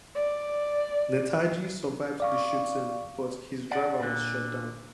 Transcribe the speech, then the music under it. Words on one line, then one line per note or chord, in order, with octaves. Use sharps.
Netaji survived the shooting but his driver was shot down.
D5
D5 F5 C#6
D5 F#5
A#2 D3